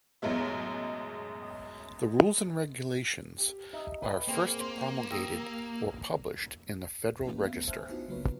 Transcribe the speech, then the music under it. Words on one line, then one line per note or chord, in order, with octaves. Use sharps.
The rules and regulations are first promulgated or published in the "Federal Register".
A1 F#2 B2 G#3 E5
G4
D#4 D#5 E5
B4 G5
A#3 C4 G#4
C5
G4 D#6 E6 A#6
E3 A3 A#3 C#4 G4 B4
B3 E5 F5
C5 E5 G#5 A5 F6 F#6
B3 D4 D#4 F4 F#4 C5
C#3 F#3 A#3 B3 B4 C#5